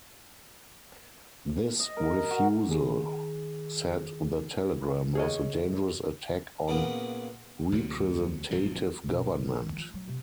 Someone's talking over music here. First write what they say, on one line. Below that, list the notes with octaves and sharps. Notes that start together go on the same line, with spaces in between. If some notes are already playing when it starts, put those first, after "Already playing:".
This refusal, said the telegram, was a dangerous attack on representative government.
D#5
A#4
F#4
D#3 G#4
G#4 C#5 D#5
A#2 C#3 B3
D2 C3 F#3
G#1 F#2 B2 F3
B2
D1
G1
D#4
D#3
F3
F#3
C3